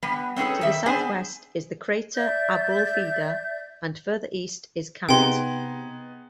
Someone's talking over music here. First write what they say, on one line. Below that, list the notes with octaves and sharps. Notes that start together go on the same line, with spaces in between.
To the southwest is the crater Abulfeda and further east is Kant.
G3 B3
C4 C#4 D#4 G#4 A4 B4
D#3 G3 E5
B3 C4 D4 G#4 C5 G#5
D5 E5 G6
C3 B3 D#4 G#4 G5 C6